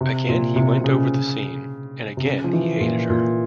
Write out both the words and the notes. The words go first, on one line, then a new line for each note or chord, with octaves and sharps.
Again he went over the scene, and again he hated her.
C3
A#2
C3
C3
C#3
C3
C#3
F3
E3
A#2
A#2